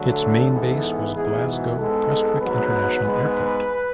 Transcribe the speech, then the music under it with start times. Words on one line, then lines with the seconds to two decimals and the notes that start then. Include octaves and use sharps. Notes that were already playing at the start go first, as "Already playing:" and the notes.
Its main base was Glasgow Prestwick International Airport.
Already playing: D2 D3 F#3 A3 A4
0.50 G#2 E3 B3
1.14 G#2 E3 B3 G#4
1.45 F#4
1.77 G#2 G#3 B3 A4
2.40 G#2 F#3 B3 B4
3.03 G#2 G#3 B3